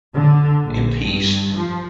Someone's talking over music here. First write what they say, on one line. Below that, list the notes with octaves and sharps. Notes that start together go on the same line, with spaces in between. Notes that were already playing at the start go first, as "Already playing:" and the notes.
and peace.
D3
A#1
G2
F3